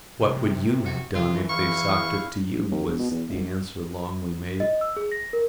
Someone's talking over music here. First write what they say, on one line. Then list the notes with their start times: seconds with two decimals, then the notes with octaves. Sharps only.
"What would you have done if they'd socked it to you?" was the answer Longley made.
0.20 C3
0.86 F#4
1.15 C3 F4
1.31 F2 E3
1.50 E2 E4 F5 C#6
2.71 D#2
2.87 E1
2.99 B2
3.11 E2
3.29 D#1
4.60 D#5
4.81 E6
4.97 G#4
5.12 A#6
5.33 A#4